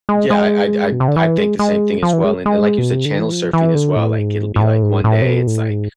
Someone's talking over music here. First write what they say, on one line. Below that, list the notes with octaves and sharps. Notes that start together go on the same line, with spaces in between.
Yeah, I'd I'd I'd think the same thing as well, and like you said, channel surfing as well, like, it'll be, like, one day it's, like,
G#3
G#3
B2
C3
D3
E3
G#3
G#3
F3
E3
G#3
G#3
B2
C3
D3
E3
F3
E3
D3
A2
G#2
G#2
A2
G#2
A2
C3
B2
A2
G#2